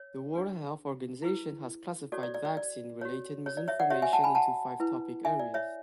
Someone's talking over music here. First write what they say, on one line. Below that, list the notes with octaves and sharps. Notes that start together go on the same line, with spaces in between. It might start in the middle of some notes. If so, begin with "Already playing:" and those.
The World Health Organization has classified vaccine related misinformation into five topic areas.
Already playing: C#5
D4 G#4 B4
E4 G#4 B4
F#4 A4 C#5 D5
D5
D5
D5
D5
F#4 C#5
C#5
D5
C#5 E5
D5 F#5
F#4 C#5 E5
E5 G#5
F#5 A5
G#5 B5
F#5 A5
E4 B4
E5 G#5
D5
C#5 E5